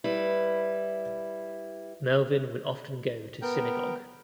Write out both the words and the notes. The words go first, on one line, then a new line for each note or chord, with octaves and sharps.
Melvin would often go to synagogue.
G3 E4 B4
B3 A#4 G5